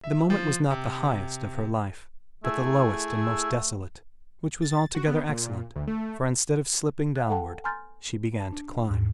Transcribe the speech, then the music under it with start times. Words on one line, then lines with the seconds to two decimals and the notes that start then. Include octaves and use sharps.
The moment was not the highest of her life, but the lowest and most desolate, which was altogether excellent, for instead of slipping downward she began to climb.
0.04 E5
0.30 F3
0.71 C3
2.44 A3 E4 G#4
4.62 A6
4.95 F#4
5.07 B3
5.29 A#2
5.76 D2
5.87 A3
7.16 F5 F#6
7.30 A4 F#5 G5 A5
7.64 G#5 A#5 C6 F6 G6 A6
8.40 A5
8.52 D4
8.89 D#2 G#2